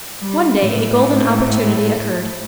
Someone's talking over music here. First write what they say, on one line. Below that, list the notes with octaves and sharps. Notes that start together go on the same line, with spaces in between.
One day a golden opportunity occurred.
G3
A2